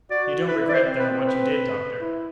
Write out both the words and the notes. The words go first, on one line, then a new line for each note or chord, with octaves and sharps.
"You don't regret, though, what you did, doctor?"
F#4 D5
E4 B4
D5
C5
C4
B4
B4
E4